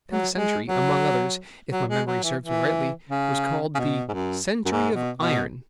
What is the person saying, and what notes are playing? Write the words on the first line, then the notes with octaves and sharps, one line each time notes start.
The tenth century, among others, if my memory serves me rightly, was called the CENTURY OF IRON.
F#3
G#3
F#3
F#3
G#3
F#3
E3
E3
C#3
C#3
B2
G#2
F#2
F#2
G#2
B2
B2